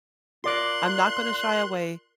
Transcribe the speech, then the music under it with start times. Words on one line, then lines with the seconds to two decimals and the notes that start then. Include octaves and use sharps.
I'm not gonna shy away
0.44 F4 A#4 D5 C6 F#6